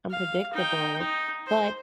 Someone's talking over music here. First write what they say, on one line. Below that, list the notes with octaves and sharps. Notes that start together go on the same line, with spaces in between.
unpredictable, but
F5
D#4 G5
D#4
C5